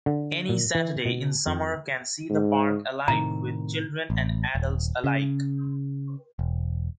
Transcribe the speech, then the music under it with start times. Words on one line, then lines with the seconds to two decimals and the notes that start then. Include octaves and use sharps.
Any Saturday in summer can see the park alive with children and adults alike.
0.06 D3
0.49 A#2
0.75 E3
1.05 B2
1.47 F2
2.30 G#2
3.08 A2 C3 D#3 A#5
4.10 A1
4.55 D#1
5.04 C#3
6.39 E1